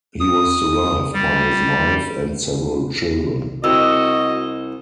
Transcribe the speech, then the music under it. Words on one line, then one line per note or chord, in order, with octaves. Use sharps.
He was survived by his wife and several children.
D#6
G3
C2 F#4 D#5 E6